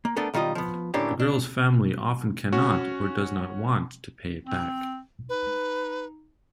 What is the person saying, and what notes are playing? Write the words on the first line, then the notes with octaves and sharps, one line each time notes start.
The girl's family often cannot or does not want to pay it back.
A#3
A3 B3 D4 A4 A#4
B1 D#3 G3 F4 D#5
F3 B3
A2 D3 A#3 C#4 D4 G4
D4
C#4 F#4
C4
D#4 B4